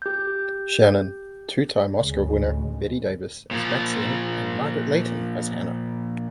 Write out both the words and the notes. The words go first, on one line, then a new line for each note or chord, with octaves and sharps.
Shannon, two-time Oscar winner Bette Davis as Maxine and Margaret Leighton as Hannah.
G4 G6
D2 A2 C#3 G#3
A#2 F3